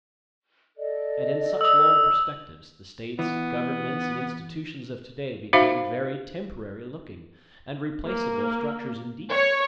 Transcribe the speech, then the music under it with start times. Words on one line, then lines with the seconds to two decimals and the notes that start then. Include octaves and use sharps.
And in such long perspectives, the states, governments and institutions of to-day became very temporary-looking and replaceable structures indeed.
0.77 A4 D5 D#5
1.61 D#6 E6
3.19 E3 B3
5.53 D#4 F#4 C5 E5 F5 B5
8.06 A#3
9.30 C#5